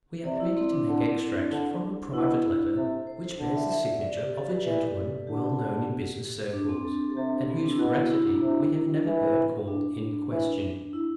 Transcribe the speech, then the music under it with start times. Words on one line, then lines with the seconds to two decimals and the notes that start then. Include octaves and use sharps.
We are permitted to make extracts from a private letter which bears the signature of a gentleman well known in business circles, and whose veracity we have never heard called in question.
0.25 C3 D5
0.40 E4
0.56 C4
0.72 D4
0.88 D3
1.50 D3
2.13 B2 E4
2.76 C3 A4
3.07 C5
3.23 C5
3.38 D3 D5
3.55 E5
3.71 E5
3.86 E5
4.02 D5
4.17 G4
4.34 A4
4.49 B4
4.64 E3
4.96 B4
5.27 D3 G4
6.53 D4
6.68 C4
6.85 A4
7.00 G4
7.10 A4
7.16 C3 G4
7.50 B3
7.57 C4
7.64 D4
7.72 E4
7.79 B2 F#4
7.94 E4
8.11 E4
8.27 D4
8.41 C3
9.05 E3
9.68 D4
10.31 E3
10.93 E4